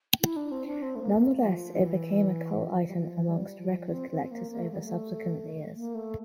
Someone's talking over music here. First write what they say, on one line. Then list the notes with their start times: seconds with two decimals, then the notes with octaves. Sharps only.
Nonetheless it became a cult item amongst record collectors over subsequent years.
0.21 E4
0.36 D4
0.51 C4
0.66 D4
0.82 C4
0.96 A3
1.02 A#3
1.16 A#3
1.22 A3
1.44 F3
1.74 E3
2.67 F3
2.89 G3
2.97 F3
3.28 G3
3.59 F3
3.90 C4
4.10 C4
4.31 A#3
4.51 A#3
4.62 A3
4.72 G3
4.83 A3
5.75 A#3
5.95 A3